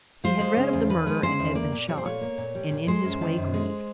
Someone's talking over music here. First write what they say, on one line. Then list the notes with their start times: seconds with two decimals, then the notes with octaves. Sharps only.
He had read of the murder, and had been shocked, and, in his way, grieved.
0.24 F3 C5
0.40 G#3
0.57 C#3
0.73 E2
0.89 F3 B4
1.06 G#3
1.23 C#3 C5
1.39 E2
1.55 A#3 D5
1.72 A#2
1.88 G3 C#5
1.97 C5
2.05 A#2 C#5
2.21 A#3
2.38 A#2
2.55 G3
2.71 A#2
2.87 G#3 C5
3.04 F#2
3.21 D#3
3.37 F#2
3.53 G#3